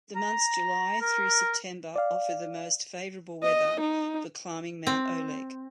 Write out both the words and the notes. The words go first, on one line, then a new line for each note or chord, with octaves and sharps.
The months July through September offer the most favorable weather for climbing Mount Oleg.
A#5
A#4
D5 F5
D#5
D#4
C4